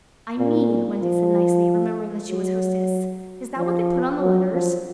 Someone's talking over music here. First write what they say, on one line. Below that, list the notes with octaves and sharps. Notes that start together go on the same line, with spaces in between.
"I mean," Wendy said nicely, remembering that she was hostess, "is that what they put on the letters?"
A#2
F3
F#3
F3
F#3
F3